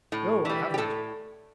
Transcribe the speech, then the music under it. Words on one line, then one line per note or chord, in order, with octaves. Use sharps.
'No, I haven't.
A2
E3 G3
G4
A2 A4